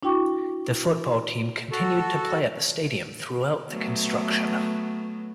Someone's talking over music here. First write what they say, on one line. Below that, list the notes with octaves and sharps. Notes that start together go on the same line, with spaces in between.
The football team continued to play at the stadium throughout the construction.
D4 E4 F#4 G5 C#6 D6
F#4 A4
F#3 A3 B3